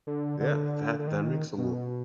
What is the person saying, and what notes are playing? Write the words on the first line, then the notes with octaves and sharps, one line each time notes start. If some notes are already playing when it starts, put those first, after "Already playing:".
Yeah, that that makes a lo
D3
D3
D3
D#3
B2